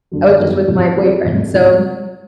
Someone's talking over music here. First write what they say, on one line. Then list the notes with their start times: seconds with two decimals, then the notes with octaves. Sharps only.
I was just with my boyfriend, so,
0.12 F#2 D3 F#3
0.40 F#2 D#3 F#3 B3
0.68 E2 C3 F3
0.97 G3 C4 F4 G#4
1.25 E2 C3 E3 A3
1.54 C3 F3 G#3 B3 E4